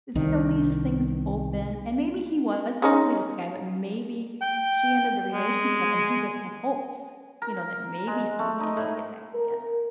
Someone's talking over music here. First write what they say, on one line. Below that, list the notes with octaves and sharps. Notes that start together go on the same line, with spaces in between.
it still leaves things open. And maybe he was the sweetest guy, but maybe she ended the relationship, and he just had hopes, you know, that maybe someday they'd get back together.
C2 D#3
G#3 C#4 D#4
G5
G#3
A#4
G#3
A3
D#4
A2
A#4